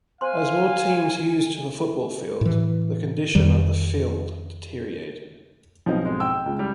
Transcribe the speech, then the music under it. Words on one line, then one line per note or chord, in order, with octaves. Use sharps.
As more teams used the football field, the condition of the field deteriorated.
C5 F5 G#5 C6
A2 E3
F2 D#3 G3
B1 F3 C4 D#4
G#2 G#3
G5 E6
C#2
G3